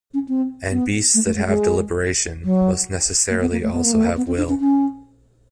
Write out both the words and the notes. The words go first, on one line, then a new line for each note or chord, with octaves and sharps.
And beasts that have deliberation, must necessarily also have will.
C#4
C4
B3
A3
A3
G#3
G#3
F#3
A#3
B3
A#3
A3
B3
A#3
A3
A#3
B3
C4
D4
C#4
C#4